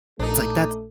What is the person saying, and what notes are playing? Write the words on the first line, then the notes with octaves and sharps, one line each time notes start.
It's like, that's
A#1 A3 D4 D#4 A4